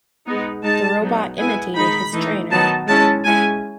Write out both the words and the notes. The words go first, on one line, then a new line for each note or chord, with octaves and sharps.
The robot imitated his trainer.
G#3 B3 D#4
G#3 D#4 A5
F#3 B3 D#4
G#3 B3 E4 G#5
D#3 G#3 D#4 B5
E3 A3 D#4
D#3 F#3 B3 D#4 A5
G#3 C#4 E4 A5
G#3 C#4 E4 G#5